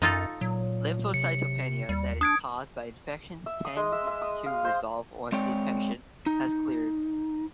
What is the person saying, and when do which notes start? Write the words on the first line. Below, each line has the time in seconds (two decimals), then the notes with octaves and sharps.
Lymphocytopenia that is caused by infections tends to resolve once the infection has cleared.
0.02 F#2 D#4 F4 A4
0.41 A#2 F#3
1.14 C3 C#7
1.89 D#2 G3
2.21 D4 D#6 G#6 D7
3.46 E5
3.65 D#6
3.77 G#3
3.92 E5
4.07 E5
4.22 D#6
4.46 F5
4.65 C5
5.32 G#3 C4 C#5 D5 G5
6.26 D#4